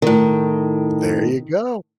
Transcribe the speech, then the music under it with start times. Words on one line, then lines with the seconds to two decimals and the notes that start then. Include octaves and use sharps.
There you go.
0.02 A2 D#3